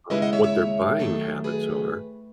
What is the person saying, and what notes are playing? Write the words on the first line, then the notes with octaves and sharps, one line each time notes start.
um, what their buying habits are,
D#2 C#3 G#3 C#4 E4 B4 D#5
D#5 F#5
C#5 E5
C#5 E5
D#3 F#3 A3 A4 C#5
G#4 B4